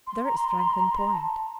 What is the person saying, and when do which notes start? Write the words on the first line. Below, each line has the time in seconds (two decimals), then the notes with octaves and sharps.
There is Franklin Point.
0.07 C6
0.25 A#5
0.37 C6
0.49 A#5
0.60 C6
0.73 A#5
0.84 C6
0.97 A#5
1.13 A5